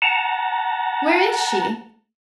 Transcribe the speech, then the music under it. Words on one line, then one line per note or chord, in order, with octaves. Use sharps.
Where is she?...
F#5 A5 A#5